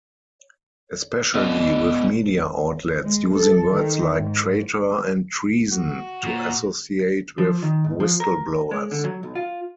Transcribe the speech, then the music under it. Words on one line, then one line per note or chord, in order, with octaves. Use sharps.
Especially with media outlets using words like "traitor" and "treason" to associate with whistleblowers.
B3 D5 D#5
G#3
A4
D#3
G#2
F#4
A#2
F3
D#3
G#2
F3
A#4
G#3
D3
F#3
B1
F4